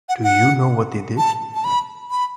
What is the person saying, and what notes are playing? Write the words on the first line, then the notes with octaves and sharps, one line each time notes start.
Do you know what they did?
F#5
F#5
A5
A5
B5
B5